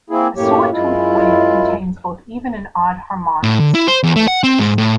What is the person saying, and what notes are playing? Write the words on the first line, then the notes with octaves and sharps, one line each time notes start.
A sawtooth wave contains both even and odd harmonics, for instance.
A#3 C4 E4 G#4
F#2 A2 A#3 G4 C#5
F#2 G#3 E4 F4
A2
D3
E4
C5
E2
A3
F#5
C4
G#2
A2